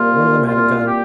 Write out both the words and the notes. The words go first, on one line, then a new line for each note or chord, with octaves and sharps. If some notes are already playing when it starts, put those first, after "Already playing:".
One of them had a gun.
Already playing: C2 A#2 A#3 F4
F4
G4